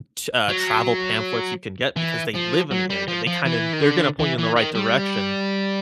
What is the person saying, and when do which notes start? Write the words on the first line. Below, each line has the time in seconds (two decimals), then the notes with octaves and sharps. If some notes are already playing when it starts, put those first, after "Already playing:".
t uh, travel pamphlets you can get because they live in the area, they kinda they're gonna point you in the right direction.
0.49 F#3
1.97 E3
2.35 F3
2.71 F#3
2.90 G3
3.08 F3
3.27 F3
3.45 E3
3.73 D#3
3.82 D3
4.20 E3
4.39 E3
4.56 D#3
4.75 G3